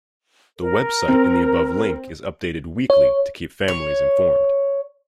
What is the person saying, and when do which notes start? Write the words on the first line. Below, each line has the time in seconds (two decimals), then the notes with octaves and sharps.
The website in the above link is updated weekly to keep families informed.
0.58 A#4
1.08 C4
2.90 C#5
3.68 C#5